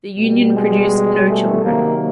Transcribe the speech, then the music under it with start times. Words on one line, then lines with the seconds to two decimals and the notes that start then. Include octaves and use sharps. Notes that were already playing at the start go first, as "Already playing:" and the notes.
The union produced no children.
0.18 B2 G3
0.55 G#3
1.28 A3
1.64 C3 D#3 F#3 A#3